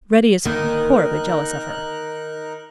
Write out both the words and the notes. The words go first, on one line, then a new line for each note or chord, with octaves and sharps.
Reddy is horribly jealous of her.
D3 D#3 A#3 D#4 A#4 F#6